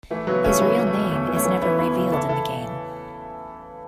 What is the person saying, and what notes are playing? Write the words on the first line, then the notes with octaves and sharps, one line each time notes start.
His real name is never revealed in the game.
E3 A3
C#3 F#3 B3
C#3 A3 C#4
E3 F#3 B3
E3
A3
E2
E2 A3
E3
A3 C#4
E3
E2 B3 E4
E2 B3 E4
C#3
E3 E4 A4
E4 A4